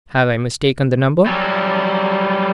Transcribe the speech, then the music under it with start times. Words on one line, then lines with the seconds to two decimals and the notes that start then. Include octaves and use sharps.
Have I mistaken the number?
1.26 F#3 G3